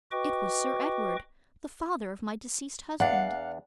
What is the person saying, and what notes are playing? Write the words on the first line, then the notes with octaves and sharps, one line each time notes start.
It was Sir Edward the father of my Deceased Husband.
F#4 B4 D#5 G5 C#6 D6
E2 D4 F5 F#5